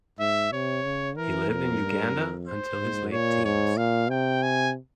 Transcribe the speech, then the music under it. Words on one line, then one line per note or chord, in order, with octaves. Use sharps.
He lived in Uganda until his late teens.
G#2 E5
C3 C#5
C#3
E3 A#4
F2 A#4
G2
F2
C5
G#2
A#2 C#5
G#2 C#5
A#2 F5
C3 G5
G#5